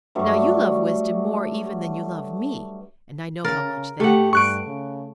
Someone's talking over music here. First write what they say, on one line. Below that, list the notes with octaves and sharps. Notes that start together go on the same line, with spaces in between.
Now you love wisdom more even than you love me, and I know how much that is.
G2 F#3 A3
C#3 A#4 A6
A3 G4 F#5
G2 C#6 F#6 D7
C#3